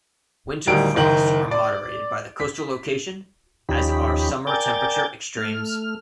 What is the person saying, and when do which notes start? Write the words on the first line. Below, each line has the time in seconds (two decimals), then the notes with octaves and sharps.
Winter frosts are moderated by the coastal location, as are summer temperature extremes.
0.67 D1 D2 D#3 G3 D7
0.96 F#1 D#3 F#7
1.51 D5
2.40 B6
3.69 D#2 F3 C#4 D#4 G4 B5
4.47 A#4 D5 G5 G#5 G6 A6
5.37 A3 F6